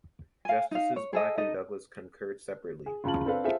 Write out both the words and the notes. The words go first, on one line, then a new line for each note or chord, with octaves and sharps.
Justices Black and Douglas concurred separately.
F5 G#5
D#4 F5
C#5
G#4 A4 D#5
D#4 A4 D#5
G#4
F#1 C#3 C#4 F4 A5 F#7
C4 D4 A4 B4 F5
F4 G#4 A4 C5 E5